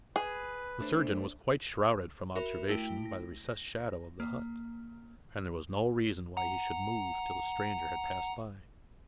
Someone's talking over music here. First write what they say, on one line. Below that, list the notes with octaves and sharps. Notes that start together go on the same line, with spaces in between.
The surgeon was quite shrouded from observation by the recessed shadow of the hut, and there was no reason why he should move till the stranger had passed by.
G#4 B4
A3 D4 C5
F#4 A#4 E5 B5
A3 E4 G5 D7
A#6
A#3
F#5 A#5